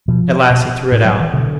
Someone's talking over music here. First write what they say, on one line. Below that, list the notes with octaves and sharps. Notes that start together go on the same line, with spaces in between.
At last he threw it out.
B2 F3
B2
A2
F#3
E3
B2 D3